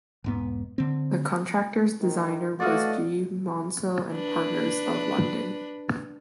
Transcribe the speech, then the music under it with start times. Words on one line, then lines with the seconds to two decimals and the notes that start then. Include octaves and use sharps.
The contractor's designer was G Maunsell and Partners of London.
0.24 E1 G#2 B3
0.78 D3 C4
2.02 D#3
2.60 A3 F#4 D5 D#5 F5
4.13 D4 B4